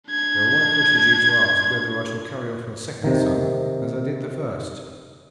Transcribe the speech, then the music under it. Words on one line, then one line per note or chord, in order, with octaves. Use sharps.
Your wife wishes you to ask whether I shall carry off your second son as I did the first.'
D4 G#6
C3 D#3